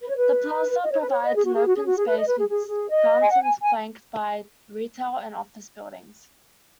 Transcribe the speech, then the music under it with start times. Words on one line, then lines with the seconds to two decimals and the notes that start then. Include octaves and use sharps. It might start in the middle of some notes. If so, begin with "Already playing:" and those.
The plaza provides an open space with fountains flanked by retail and office buildings.
0.01 B4
0.09 C#5
0.17 B4
0.84 D#5
0.92 C#5
1.00 B4
1.09 C#5
1.25 D#5
1.35 G#4
1.45 F#4
1.55 G#4
1.66 F#4
1.76 G#4
1.86 F#4
1.97 G#4
2.07 B4
2.18 D#5
2.28 B4
2.38 G#4
2.49 G#4
2.69 G#4
2.90 D#5
3.21 G#5
3.31 F#5
3.42 G#5
3.61 G#5